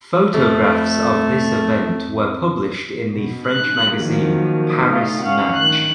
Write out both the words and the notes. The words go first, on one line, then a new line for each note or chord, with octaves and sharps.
Photographs of this event were published in the French magazine "Paris Match".
F2 A3
B2
F#6
D#3 F3 F#3 A#3
C#3 A3 D#4 F4
C#4 F5 F#5
D#3 F#6